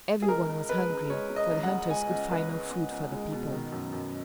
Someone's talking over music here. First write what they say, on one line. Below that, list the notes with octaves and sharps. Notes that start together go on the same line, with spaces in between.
Every one was hungry, for the hunters could find no food for the people.
G#4
C#2 A#4
C#2
G#3 B4
C#2
G#3 C#5
G#3
D#5
C#2
F#5
G#3
C#2 G#5
C#2
C#2 B4
C#2
C#2
C#2
G#3
B2
D#3
F#2
F#2